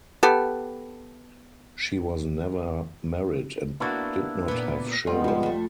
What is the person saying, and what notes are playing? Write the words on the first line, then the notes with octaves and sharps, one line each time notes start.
She was never married and did not have children.
B3 G4 A4
A#3 B3 D4 E4 F#4
A#2 B3
G3 G#3 B3 F4 D5
G#2 F3 F4
F2 A3